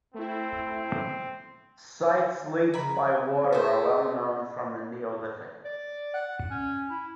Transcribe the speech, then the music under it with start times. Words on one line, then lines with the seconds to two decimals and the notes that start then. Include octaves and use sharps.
Sites linked by water are well known from the Neolithic.
0.14 A3 C4 E4
2.74 C#3 A#4 B5
3.53 A3 G#4 C5
5.65 D5
6.14 F#5
6.50 C#4
6.90 E4